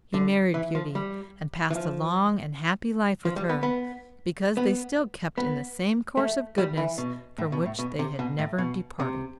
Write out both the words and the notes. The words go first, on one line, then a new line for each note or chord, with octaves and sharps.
He married Beauty, and passed a long and happy life with her, because they still kept in the same course of goodness from which they had never departed.
D3
E3
F3
G3
E3
F3
F3
G3
B3
B3
B3
B3
A3
G3
E3
B2
A2
B2
A2
B2
C3
B2
A2
B2
C3